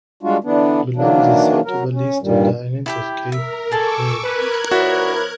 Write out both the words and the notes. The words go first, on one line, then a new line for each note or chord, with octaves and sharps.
Below is a sortable list of the islands of Cape Verde.
G3 G#3 D4 F4 F#4
D3 E3 B3 D4
D#3 E3 F#3 A#3 D4
F#3 A#4
C#4
G2 A#2 D#3 G3
E4 G4 G5
A#4 E5
G#4 A4 A5 C#6 D6 E6
A#4 B4 F#6 G#6
F3 B3 E4 F#4 C#5 D5 B5